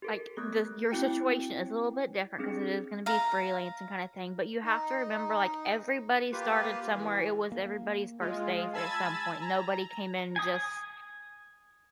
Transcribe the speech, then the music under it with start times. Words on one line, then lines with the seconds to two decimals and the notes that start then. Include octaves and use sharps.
Like, the your situation is a little bit different 'cause it is gonna be freelancing kinda thing, but you have to remember, like, everybody started somewhere, it was everybody's first days at some point, nobody came in just
0.02 G4 A4 A#4
0.37 A3 B3 D#6 F#6 G6
0.91 C4 E4 F#4 G5 C#7
2.38 C4 D4 G#4 F6
3.06 F5 A#5
4.64 D#4
6.32 A#3 F4 G4 B4
6.93 E3
7.52 A#3
8.21 G#3 F4
8.73 G#5 A5 B5 E6 G#6 A6
9.42 A#5
10.36 G#5 D#6